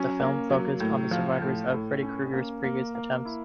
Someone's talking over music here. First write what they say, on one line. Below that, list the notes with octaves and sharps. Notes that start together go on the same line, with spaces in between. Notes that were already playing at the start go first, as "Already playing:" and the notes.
The film focused on the survivors of Freddy Krueger's previous attempts.
Already playing: F#3 C#4
A#3
F#3
A2
F3
A2
A2
C#4
A#3
A#3
A#3
E4